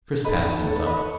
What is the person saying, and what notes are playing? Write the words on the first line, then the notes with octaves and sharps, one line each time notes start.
Chris passed him some.
D#4 A4 B4 D#5
D#4 A4 C#5
B4
B4 D#5
C#5